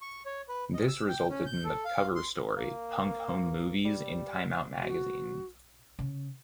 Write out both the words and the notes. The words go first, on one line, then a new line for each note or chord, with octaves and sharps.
This resulted in the cover story, "Punk Home Movies" in "Time Out" magazine.
C#6
C#5
B4
D#5
E6
G5
C#4
G6
A4
F5
C6
A#3
G3
F#4
C#3